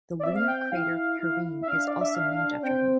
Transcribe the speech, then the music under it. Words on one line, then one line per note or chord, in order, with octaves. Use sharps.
The lunar crater Perrine is also named after him.
D5
C4 E5
F5
G5
G5
E4 F5
E4
E5
D4 F5
D5
E5
F5
C4 G5